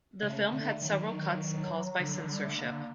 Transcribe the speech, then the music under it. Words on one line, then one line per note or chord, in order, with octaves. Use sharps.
The film had several cuts caused by censorship.
C#3 A3
D3 A3
D#3 F#3
D3 F#3
F#3
G3
A3
A#3